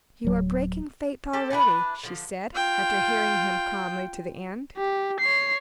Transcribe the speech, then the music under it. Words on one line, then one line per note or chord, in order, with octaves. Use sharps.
"You are breaking faith already," she said, after hearing him calmly to the end.
D1 F#3
G4 A4 D5
D4 E4 G4 B4
D3 F3
F4 G5
G4
C#5 C7